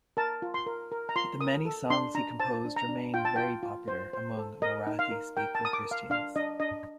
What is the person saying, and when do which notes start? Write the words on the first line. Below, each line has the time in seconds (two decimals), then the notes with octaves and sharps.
The many songs he composed remain very popular among Marathi speaking Christians.
0.17 A#4 A5
0.42 F4
0.54 C6
0.67 A#4
0.92 A#4
1.09 A#5
1.16 F4 C6
1.41 A#4 D#6
1.65 A4
1.90 D4 C6
2.15 D4 A#5
2.40 C5 A5
2.65 D4
2.76 A#5
2.89 D4
3.14 F4 G5
3.25 A5
3.36 F4 G5
3.63 F4
3.88 C5
4.13 C5
4.37 A4
4.62 A#4 D#5
4.87 D#4
4.99 F5
5.11 A#4
5.37 A#4 G5
5.55 A5
5.61 A#4 D#6
5.73 D6
5.85 A#4
5.91 F5
6.10 D4 F5
6.36 D4 D#5
6.60 D4 D#5